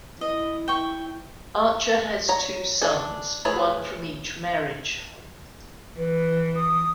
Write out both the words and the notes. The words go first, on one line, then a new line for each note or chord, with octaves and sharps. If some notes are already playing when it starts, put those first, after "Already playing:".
Archer has two sons, one from each marriage.
E4 D#5
G5 C#6
C#5 A#5
D4 A4 G#5
A3 E4 G#4 B4 C#5
E3 B4
D#6